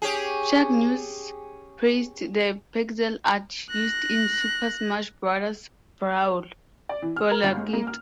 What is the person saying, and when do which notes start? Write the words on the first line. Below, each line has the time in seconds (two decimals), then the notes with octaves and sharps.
Shack News praised the pixel art used in "Super Smash Brothers Brawl" for Lakitu.
0.02 C#4 G4 G#4
3.70 F#6 A#6
6.89 D5
7.02 E3
7.16 F6
7.31 A#4
7.44 G1
7.57 G#3
7.73 A#3
7.87 F6